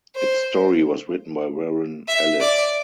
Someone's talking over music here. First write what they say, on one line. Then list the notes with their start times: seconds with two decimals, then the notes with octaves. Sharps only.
Its story was written by Warren Ellis.
0.15 C5
2.08 E5
2.41 D5